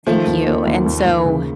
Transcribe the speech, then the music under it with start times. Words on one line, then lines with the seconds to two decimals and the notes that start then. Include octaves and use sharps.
Thank you. And so,
0.07 D#3 F3 A3
0.26 D#2
0.47 A#3
0.66 D#2
0.86 D#2
1.06 D#2
1.25 C#3